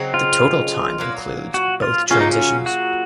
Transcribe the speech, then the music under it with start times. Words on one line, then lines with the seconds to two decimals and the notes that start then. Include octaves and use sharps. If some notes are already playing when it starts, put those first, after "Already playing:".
The total time includes both transitions.
Already playing: C#3 F#3 C4 D#4
0.14 F4
0.98 A#2 F#3 A#3
1.54 F#4
1.82 F4
2.10 C#3 F#3 A#3 C#4 F4
2.21 D#4
2.31 C#4
2.66 F#4